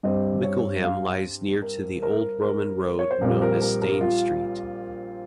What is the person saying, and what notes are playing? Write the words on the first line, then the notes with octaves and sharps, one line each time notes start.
Mickleham lies near to the old Roman road known as Stane Street.
G2 G3 C4 D#5
C#5
F5
A#4
A#4
A#4
C#5
C5
A#1 A#2 G3 C4 A#4
A#4
A#4
A#4
F4